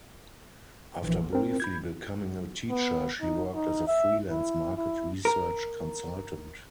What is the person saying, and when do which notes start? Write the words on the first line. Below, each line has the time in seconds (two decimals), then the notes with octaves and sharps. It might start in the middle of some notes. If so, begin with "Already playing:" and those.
After briefly becoming a teacher, she worked as a freelance market research consultant.
1.03 A#1 A#2 E3
1.33 C4 A#4
1.60 B5 G6 G#6
2.70 B3
3.21 D#4
3.55 D#4
3.88 E5
4.31 E4
4.77 E4
5.25 A#4